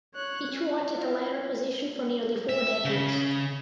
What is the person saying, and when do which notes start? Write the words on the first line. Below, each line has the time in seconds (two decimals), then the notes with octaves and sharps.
He taught at the latter position for nearly four decades.
0.15 C#5 F#6
0.52 C#4
0.92 E4 F4
2.49 E5
2.85 C#3